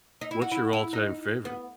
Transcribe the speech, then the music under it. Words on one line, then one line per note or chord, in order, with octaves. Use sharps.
What's your all-time favorite?
D#4
E4
F#4
E4
E4
D#4
B3